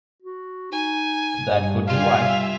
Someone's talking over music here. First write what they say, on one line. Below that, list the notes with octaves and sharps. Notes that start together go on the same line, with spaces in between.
That could be why.
F#4
D#4 G#5
G2
G3 F4 F5 G#5 F7
E5